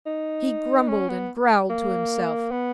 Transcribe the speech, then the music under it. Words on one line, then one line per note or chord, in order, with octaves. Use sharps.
He grumbled and growled to himself.
D#4
C#4
B3
A#3
B3